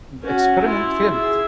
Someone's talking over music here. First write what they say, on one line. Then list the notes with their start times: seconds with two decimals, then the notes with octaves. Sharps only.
The experiment failed.
0.23 C#4 F#4
0.61 E4 F4
1.10 G#4 E5